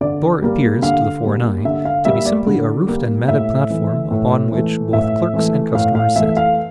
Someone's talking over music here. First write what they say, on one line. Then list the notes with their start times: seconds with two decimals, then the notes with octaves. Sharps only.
The store appears, to the foreign eye, to be simply a roofed and matted platform upon which both clerks and customers sit.
0.01 D3 D5
0.42 G3 A#3
0.82 D3 F5
1.23 G3 A#3
1.65 D3 E5
1.85 F5
2.05 G3 A#3 E5
2.26 D5
2.47 D3
2.87 G3 A#3
3.28 A2 E5
3.70 E3 A3
4.11 A2
4.52 E3 A3
4.93 A2 E5
5.34 E3 A3
5.75 A2 F5
5.95 F5
6.15 E3 A3 E5
6.37 F5